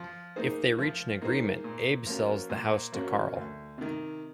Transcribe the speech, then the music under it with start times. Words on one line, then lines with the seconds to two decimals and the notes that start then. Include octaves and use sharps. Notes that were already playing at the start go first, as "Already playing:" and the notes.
If they reach an agreement, Abe sells the house to Carl.
Already playing: F3
0.36 A#3 D#4 G#4 C5
0.79 F3
1.21 A#3 D#4 G#4 C5
1.64 A#2
2.06 F3 A#3 C#4 F#4
2.50 A#2
2.92 F3 A#3 C#4 F#4
3.35 D2
3.78 C3 D#3